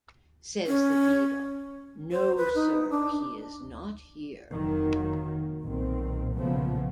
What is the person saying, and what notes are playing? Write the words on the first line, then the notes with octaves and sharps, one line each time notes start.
Says the beadle, "no, sir, he is not here."
C#4
C5
B4
D#4
D4
F1 D#3 F#3 A#3
B1 A#2 D#3 C4
B1 A#2 C#3 F3 A3 B3